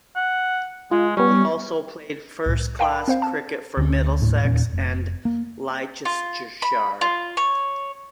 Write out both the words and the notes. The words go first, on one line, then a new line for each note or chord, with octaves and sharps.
He also played first class cricket for Middlesex and Leicestershire.
F#5
G#3 F4
G3 B3 C#4
C2 A2
A#4 F5 G5 A5 B5
C4 C5 F5
A5
D2 A#3 C#4
D#2 A2
D#1 E2 A#2 C#4
F1
A#3
F4
B5
F4
C#5